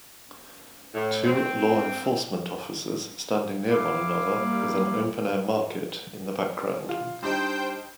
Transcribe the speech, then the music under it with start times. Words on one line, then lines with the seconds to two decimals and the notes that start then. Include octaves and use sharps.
Two law enforcement officers standing near one another with an open air market in the background.
0.94 A2
1.25 C4
3.70 E4 F5 D6
4.36 G3 A#3
6.89 F4
7.22 G3 D4 D#4 C5 G5 G6